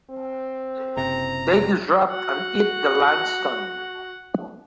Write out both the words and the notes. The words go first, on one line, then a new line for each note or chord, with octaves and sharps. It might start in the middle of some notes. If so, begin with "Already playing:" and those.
They disrupt and eat the limestone.
C4
F#1 C3 A#5
F#4 F#5